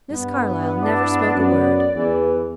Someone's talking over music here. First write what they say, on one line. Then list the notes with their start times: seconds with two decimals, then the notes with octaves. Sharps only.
Miss Carlyle never spoke a word.
0.11 G2 B3
0.77 D4 E4
1.34 F#2 D5
1.96 E2 E3